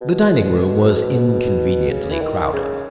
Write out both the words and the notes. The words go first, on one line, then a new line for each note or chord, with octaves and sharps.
The dining-room was inconveniently crowded.
B2
C#3
E3
D#3
C#3